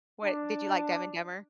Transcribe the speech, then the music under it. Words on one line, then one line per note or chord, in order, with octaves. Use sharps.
What did you like Dumb and Dumber?
D4